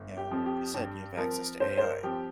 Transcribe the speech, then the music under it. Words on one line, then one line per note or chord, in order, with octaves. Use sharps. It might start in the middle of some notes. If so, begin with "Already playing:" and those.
you know, like you said, you have access to AI.
Already playing: G1
G4
F2 F3 C4
G4
G2 G4
F3 C4 A#4
G2 C5
C5
A#4
F3 C4 G4